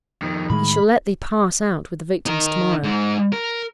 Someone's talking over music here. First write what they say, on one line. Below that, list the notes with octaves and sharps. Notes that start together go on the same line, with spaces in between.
He shall let thee pass out with the victims to-morrow.
F2 D#3
A2 D#3 G#3 B5
D#4 A#4
G#2 G#3
A#4